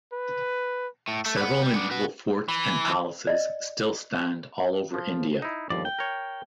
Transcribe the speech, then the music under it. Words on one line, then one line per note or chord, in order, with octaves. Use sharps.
Several medieval forts and palaces still stand all over India.
B4
A2
A3
B4 F#5
G3
B3 D4
F#4 B4
E3
D5 D#5
F3
D#4 E4
G1 D#2 F3 D5
G5
A#4 C#5